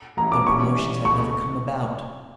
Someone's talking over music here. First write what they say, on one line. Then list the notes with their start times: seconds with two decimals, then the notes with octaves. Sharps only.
Their promotions had never come about.
0.17 A1 A2 G3 C#4 E4 A#5
0.32 D6
0.47 A1 A2 G3 C#4 E4 C#6
0.76 A1 A2 G3 C#4 E4
1.05 C#2 C#3 E3 A3 C#6